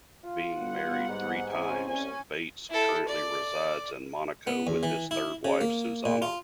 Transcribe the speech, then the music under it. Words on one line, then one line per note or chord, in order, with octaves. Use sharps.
Being married three times, Bates currently resides in Monaco with his third wife, Suzannah.
F4
G3 B3 F#5
G#2
C4 C#4 G#5
C2 C#4 G#5
E4 A4
D5 D6
B3
E2
E3
E4
C#3
A#3
A#2
F4